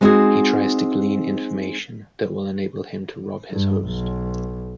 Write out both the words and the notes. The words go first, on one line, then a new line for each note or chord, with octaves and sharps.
He tries to glean information that will enable him to rob his host.
G#3 B3 C4 D#4 F#4 G#4
G2
B1